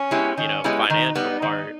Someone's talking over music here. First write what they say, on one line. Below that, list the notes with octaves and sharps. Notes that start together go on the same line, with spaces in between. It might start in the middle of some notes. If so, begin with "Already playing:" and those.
you know, financial part
Already playing: C#4
G#3 B3 E4 G4
D#3 C#4
G#3 B3 E4 G4
D#3 D#4
G3 B3
D#3